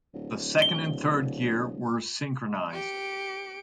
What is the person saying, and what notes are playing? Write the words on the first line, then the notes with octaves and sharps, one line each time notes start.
The second and third gear were synchronized.
D1
G7
G4 C#7 D7